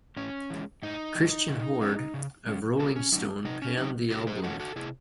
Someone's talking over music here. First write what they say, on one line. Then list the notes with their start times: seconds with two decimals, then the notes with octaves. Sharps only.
Christian Hoard of "Rolling Stone" panned the album.
0.17 A2 C#4
0.50 E3 G#3
0.83 A2 D#4
1.15 E3 G#3
1.48 C#3
1.81 G#3 C#4
2.14 C#3
2.46 G#3 C#4
2.80 C3 F#4 A4
2.96 C#4
3.12 F#3 C#4 D#4
3.45 C3 D#4
3.62 C#4
3.77 F#3 C#4 D#4
4.10 C3 F#4 A4
4.27 G#4 C5
4.44 E3 G#3 C#4 F#4 A4
4.60 F#4 A4
4.76 C3 E4 G#4